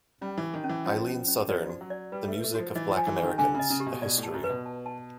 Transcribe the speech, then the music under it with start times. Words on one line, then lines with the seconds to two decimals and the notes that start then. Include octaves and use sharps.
Eileen Southern, "The Music of Black Americans: A History".
0.21 G3 C#4
0.38 E3
0.43 G4
0.54 D#3
0.64 C#4
0.69 E3
0.85 F3 C#4
1.07 C#4
1.28 C#4
1.49 F3 D5
1.70 F#4
1.81 F#3
1.90 D5
2.12 G3 B4
2.28 A3
2.34 B4
2.44 A3
2.55 F3 F#4
2.75 E3 D#5
2.91 F3
2.97 G#5
3.07 E3
3.17 G4
3.23 D#3
3.38 D3 G#5
3.55 C#3 D#5
3.70 C#3
3.80 G4
3.86 B2
4.02 B2 D5
4.18 A2
4.23 A5
4.34 F#2
4.44 B4
4.50 B2
4.66 A5
4.86 A5